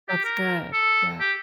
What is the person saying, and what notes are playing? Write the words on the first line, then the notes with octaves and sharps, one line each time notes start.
That's good, yeah.
G4
A#4
A4
G4